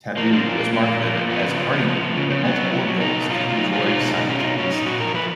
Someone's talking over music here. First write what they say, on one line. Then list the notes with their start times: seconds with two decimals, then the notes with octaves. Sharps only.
"Taboo" was marketed as a party game that multiple adults could enjoy simultaneously.
0.17 F3 A#3
0.31 F3 G#3
0.45 A#2 A#3
0.59 A#2
0.73 A#2 A#3
0.88 A#2
1.02 F3
1.16 A#2
1.30 F3 B3
1.45 C#3
1.59 F3
1.73 F3
1.88 F3
2.01 F3
2.16 C#3
2.30 C#3
2.44 F#3 B3
2.58 F#3
2.73 F#3
2.87 F#3
3.00 B2 D#4
3.16 B2
3.30 F#3 F4
3.44 B2
3.49 F4
3.58 F#3 D#4
3.73 F#3 F4
3.86 B2 F4
4.00 B2 D#4
4.14 B2 D#4
4.29 B2 C#4
4.40 F4
4.44 B2 D#4
4.57 F#3 C#4
4.72 A#2 D#4
4.85 A#2 F#4
5.00 F3 A#4
5.14 F3 B4